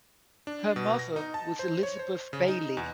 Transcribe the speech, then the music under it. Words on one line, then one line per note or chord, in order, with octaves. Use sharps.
Her mother was Elizabeth Bayley.
D4
B2
A#6
D#4
A5
C5
C#5
C5
C#3
D#4
E2